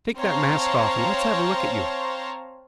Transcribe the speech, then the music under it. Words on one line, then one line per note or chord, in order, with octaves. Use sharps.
"Take that mask off and let's have a look at you."
C4 C5 C#5 F5 A5 A#5